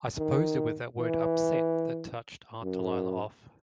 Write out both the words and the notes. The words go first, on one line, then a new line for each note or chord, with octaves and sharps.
I suppose it was that word "upset" that touched Aunt Dahlia off.
D#3
E3
F#2